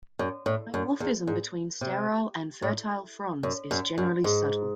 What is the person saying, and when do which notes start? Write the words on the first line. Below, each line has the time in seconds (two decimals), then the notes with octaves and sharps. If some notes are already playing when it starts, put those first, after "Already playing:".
Dimorphism between sterile and fertile fronds is generally subtle.
0.19 F#2
0.46 A2
0.74 F#2
1.00 E2
1.27 G#2
1.81 C3
2.62 A2
3.43 F#2
3.71 F#2
3.98 F#2
4.24 G#2